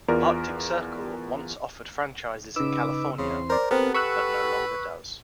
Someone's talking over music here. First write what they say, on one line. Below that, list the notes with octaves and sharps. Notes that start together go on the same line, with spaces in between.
Arctic Circle once offered franchises in California, but no longer does.
E2 F4 A#4 D5 F6
C#3 D#4 B4 D6 E6
E2 C#3 C4 C6
A#4 C5 D5
B3 C4 G4 A4 A#4 F#5
B4 C#6 E6 F#6